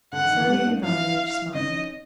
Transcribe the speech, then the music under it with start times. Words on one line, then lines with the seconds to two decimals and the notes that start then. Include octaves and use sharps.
Sergey Ivanovitch smiled.
0.13 D3 F#5
0.25 D#3
0.37 D3 E3
0.48 G3 A3
0.65 C#4 D#4
0.83 D4 E4 F5
1.54 C#4 D#4 D#5